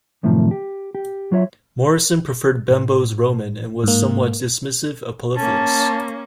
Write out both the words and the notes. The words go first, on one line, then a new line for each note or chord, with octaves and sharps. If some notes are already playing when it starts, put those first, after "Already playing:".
Morison preferred Bembo's roman and was somewhat dismissive of Poliphilus.
F#2 A2 C3 D#3 F3
G4
G4
F#3 F4 C#5 E5
A2
G#2 A#3
A#3 C#4 A5